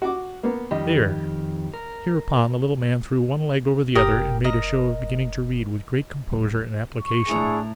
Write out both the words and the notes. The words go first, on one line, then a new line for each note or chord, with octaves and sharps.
There!' Hereupon, the little man threw one leg over the other, and made a show of beginning to read with great composure and application.
F#4 D6
A#3 B3
F2 D#3 G3 G4 D#5
A#4
F#1 G4 A#4 D#6
A#4 D#5
D#1 D#3
C#6
A2 D4 E4 G#4 A#5